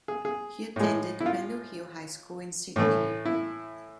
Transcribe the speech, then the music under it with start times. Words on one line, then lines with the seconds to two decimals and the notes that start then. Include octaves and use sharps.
He attended Pendle Hill High School in Sydney.
0.08 G#4
0.25 G#4
0.76 A2 G#3
1.20 E4
1.26 F4
2.76 A2 E3 A3
3.26 E4